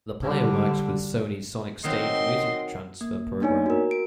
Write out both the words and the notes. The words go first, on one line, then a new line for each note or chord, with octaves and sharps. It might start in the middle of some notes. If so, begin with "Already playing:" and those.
The player works with Sony's SonicStage music transfer program.
D3 G3
D#3 F#3 C4 D#5 C6
A#3
A#3 B3 D4 D#4 C#5 G#5
F#4 A#4
D7